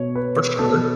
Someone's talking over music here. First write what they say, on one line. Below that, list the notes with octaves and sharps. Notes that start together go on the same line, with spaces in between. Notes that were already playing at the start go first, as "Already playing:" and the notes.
For sure.
Already playing: B2 C#5
B4
B2 A4